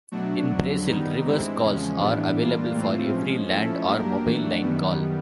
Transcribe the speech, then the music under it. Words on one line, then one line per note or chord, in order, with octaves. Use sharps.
In Brazil, reverse calls are available for every land or mobile line call.
B2 F#3 A3 D4 F#4
F2 D3 F#3
D#3 G3 B3 D#4
G2 E3 G#3 C4 E4
E2 C#3 F3 G#3 C#4
A2 E3 G3 B3 D4
E3 G3 A#3 D4 F4
A2 E3 A3 C4 F4
F3 G#3 C#4
F3 A3 C#4 E4 A4
F#3 A#3 D4 G4 A#4
E3 A3 D4 F#4
F#2 D#3 G3 B3